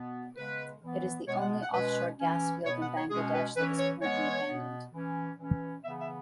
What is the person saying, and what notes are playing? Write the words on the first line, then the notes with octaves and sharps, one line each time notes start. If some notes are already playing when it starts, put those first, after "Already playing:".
It is the only offshore gas field in Bangladesh that is currently abandoned.
Already playing: B2 B3
C#3 G#3 B3 B4
E3 B3
B2 G#3 B3 C#5
F#5
F#5
B2 G#3 C#4 B4
E3 C#4
B2 B3 C#5
F#5
C#5
B2 G#3 C#4 G#4
B4
E3 C#4 B4
C#5
E3 G#3 B3 C#5
B2 B3
E3 C#4
E3 C#4
C#3 E3 B3 E5
E5